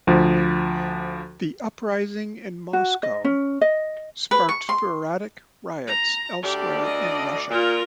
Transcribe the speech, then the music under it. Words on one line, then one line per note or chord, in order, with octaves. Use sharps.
The uprising in Moscow sparked sporadic riots elsewhere in Russia.
D2 F3
F#4
D#5
C#4
D#5
B4
C#6
C6
A#5
D2 D3 G4 D5
D#5
A#2 F4 A#4